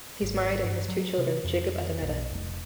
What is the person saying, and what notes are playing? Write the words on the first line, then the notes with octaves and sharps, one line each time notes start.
He is married and has two children - Jakub and Aneta.
G#1
G2
F#3
C3
F2
B1
F1